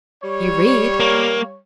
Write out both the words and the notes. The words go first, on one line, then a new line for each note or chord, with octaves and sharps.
"You read."
G3 C#5
A#3